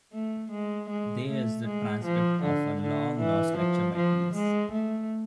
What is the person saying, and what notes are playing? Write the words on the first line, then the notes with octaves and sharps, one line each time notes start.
There's the transcript of a long-lost lecture by T. S.
A3
G#3
G#3
A3
G#3
F3
D3
D3
E3
F3
F3
G#3
A3